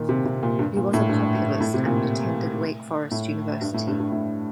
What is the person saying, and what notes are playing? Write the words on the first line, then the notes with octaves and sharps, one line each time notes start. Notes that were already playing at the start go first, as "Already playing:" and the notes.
He was a Populist and attended Wake Forest University.
Already playing: A#2 D#3
C3
C3
A#2
G2
A#2
A2
G2
G2
A2
C3
A#2
A2
G2
A2
G2
G2
A2